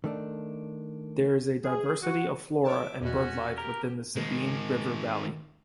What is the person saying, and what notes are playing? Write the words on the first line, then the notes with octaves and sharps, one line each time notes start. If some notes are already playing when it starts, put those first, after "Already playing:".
There is a diversity of flora and birdlife within the Sabine River Valley.
D#3 A3 D4
G#4
F#4
C#5 E5 A5 D6
E2 B2 C#4 F#4
G4 A#4
D#3 G#3